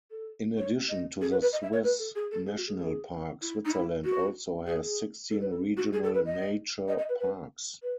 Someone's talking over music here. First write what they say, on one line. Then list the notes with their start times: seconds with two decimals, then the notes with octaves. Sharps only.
In addition to the Swiss National Park, Switzerland also has sixteen regional nature parks.
0.11 A4
0.57 C#5
0.89 D#5
1.21 G#4
1.31 B4
1.41 B4
1.52 D#5
1.62 E5
1.73 C#5
1.84 B4
1.99 A4
2.15 G#4
2.31 A4
2.46 G#4
2.57 F#4
2.67 G#4
2.78 G#4
3.42 E4
3.65 D#4
3.72 E4
4.05 F#4
4.67 G#4
4.83 G#4
5.31 A4
5.41 B4
5.51 A4
5.77 F#4
5.93 G#4
6.04 A4
6.14 B4
6.25 D#5
6.88 D#5
6.98 D#5
7.09 B4
7.20 B4
7.82 B4